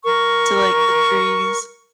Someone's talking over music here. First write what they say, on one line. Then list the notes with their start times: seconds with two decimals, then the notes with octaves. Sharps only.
to, like, the trees.
0.04 A#4 C#6